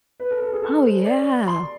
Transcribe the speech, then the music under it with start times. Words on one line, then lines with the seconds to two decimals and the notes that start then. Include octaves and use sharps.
Oh, yeah.
0.20 B4
0.31 A4
0.42 A4
0.52 G#4
0.62 A4
0.83 C5
1.05 D5
1.48 C6